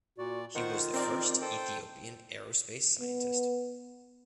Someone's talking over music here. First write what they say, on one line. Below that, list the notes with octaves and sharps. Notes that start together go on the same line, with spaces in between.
He was the first Ethiopian Aerospace scientist.
A#2 F#4 D5
D#3 F4 C5 F#5 C#6
C4 A#4 D5
A4 C5 G5
B3